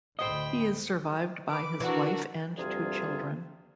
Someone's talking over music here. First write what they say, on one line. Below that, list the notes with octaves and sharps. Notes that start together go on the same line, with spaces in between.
He is survived by his wife and two children.
D2 A2 C5 D#5 G5 B5
B4 D6
E3 D4 F#4 A#4
D2 G2 C3 G3 F4 G#4